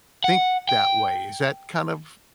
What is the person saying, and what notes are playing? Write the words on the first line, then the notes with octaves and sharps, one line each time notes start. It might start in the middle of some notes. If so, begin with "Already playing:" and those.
think that way." Is that kind of
F#5
G5